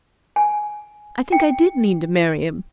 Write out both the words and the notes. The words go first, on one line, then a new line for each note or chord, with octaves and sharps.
I think I did mean to marry him.
G#5
G5